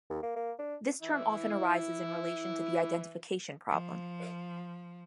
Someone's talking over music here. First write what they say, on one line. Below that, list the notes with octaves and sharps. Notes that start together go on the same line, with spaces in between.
This term often arises in relation to the identification problem.
D#2
A#3
A#3
D4
E3 E4
F3